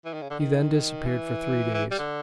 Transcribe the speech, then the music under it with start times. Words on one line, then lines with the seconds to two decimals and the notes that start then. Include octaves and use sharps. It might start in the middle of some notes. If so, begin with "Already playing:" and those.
He then disappeared for three days.
0.05 E3
0.14 D#3
0.22 C#3
0.30 D3
0.39 D#3
1.06 E3
1.74 E3
1.91 G3
1.99 D3